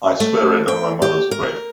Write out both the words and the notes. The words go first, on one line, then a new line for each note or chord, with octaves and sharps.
I swear it on my mother's grave.
A3
G5
G4
A#4